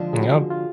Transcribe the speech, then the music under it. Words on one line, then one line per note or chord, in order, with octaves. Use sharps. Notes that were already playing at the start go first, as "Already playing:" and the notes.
And, yep.
Already playing: D3 F3 G#3 D4 F4
G#4
F#4
F4